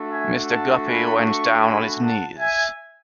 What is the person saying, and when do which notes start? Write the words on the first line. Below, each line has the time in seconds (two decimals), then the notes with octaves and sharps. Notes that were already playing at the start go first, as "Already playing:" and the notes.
Mr. Guppy went down on his knees.
Already playing: A3 D4 F#4
0.08 E5 G#5
0.47 F#5 A5
0.85 G#5 B5
1.23 A5 C#6
1.61 G#5 B5
1.99 F#5 A5
2.38 E5 G#5